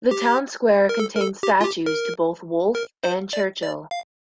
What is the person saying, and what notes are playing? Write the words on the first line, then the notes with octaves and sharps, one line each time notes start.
The town square contains statues to both Wolfe and Churchill.
G4
A#4
A4
A#4
A4
G4
F4
G4
A#4
A#4
C5
D5
D5
F5